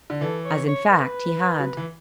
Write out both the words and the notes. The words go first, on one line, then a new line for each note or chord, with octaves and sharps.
As, in fact, he had.
D3
E3 A4
C#5
C#5
B4
F#3
E3